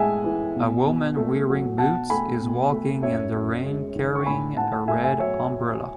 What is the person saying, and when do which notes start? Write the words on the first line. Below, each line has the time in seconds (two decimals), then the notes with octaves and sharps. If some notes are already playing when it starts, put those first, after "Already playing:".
A woman wearing boots is walking in the rain carrying a red umbrella.
Already playing: A2 G#3 E5 F#5 G#5 A5
0.24 E3
0.56 B2
0.86 B2
1.17 A3
1.48 F#3
1.78 B2 F#5 A5
2.10 A3 G#5 B5
2.40 B2
2.72 A3
3.02 F#2 C#5 E5
3.34 F#2
3.64 G#3
3.95 D#3
4.15 C#6
4.26 A2 G#5 B5
4.57 A2 F#5 A5
4.88 A3 E5 G#5
5.04 E5 G#5
5.19 F#3 C#5 E5